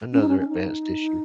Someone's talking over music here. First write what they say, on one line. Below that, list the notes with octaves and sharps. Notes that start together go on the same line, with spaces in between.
another advanced issue,
C#4
D#4
C#4
C#4
D#4